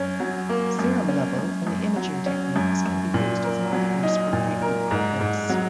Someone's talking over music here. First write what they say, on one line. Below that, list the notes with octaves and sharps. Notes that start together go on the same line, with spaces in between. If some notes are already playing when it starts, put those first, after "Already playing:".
Serum level and the imaging techniques can be used as markers for treatment progress.
Already playing: F#2 C#4
F#3
A#3
F#2
C#4
F#2
F#2
F#3
C#4
F#2
F#2
A#2
A#4
F#3
D#4
A#2
A#4
G#2
G#2
F#3